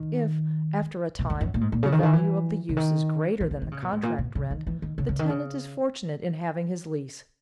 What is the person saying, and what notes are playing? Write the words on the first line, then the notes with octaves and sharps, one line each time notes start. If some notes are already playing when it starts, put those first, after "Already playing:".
If, after a time, the value of the use is greater than the contract rent, the tenant is fortunate in having his lease.
Already playing: D#3
B2
F#2
F#2
A#2
G#2
A#2
C#3
D#3
C#3
D#3
E3
C#3
D#3
E3
E3
D#3
C#3
B2
G#2
A#2
B2
C#3
D#3
E3
D#3
C#3
C#3
D#3
C#3